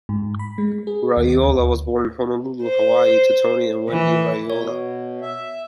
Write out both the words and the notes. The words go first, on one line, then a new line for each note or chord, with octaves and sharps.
Raiola was born in Honolulu, Hawaii, to Tony and Wendy Raiola.
G#2
B5
G#3
G#4
D#2
D2
C5
E3
B2 C#5
E5